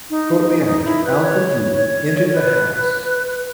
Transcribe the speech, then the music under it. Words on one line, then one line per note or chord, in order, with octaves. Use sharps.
Shortly after, Alfred Yule entered the house.
D#4
C#4
D#4
E4
B4
C#5
C#5
C#5
B4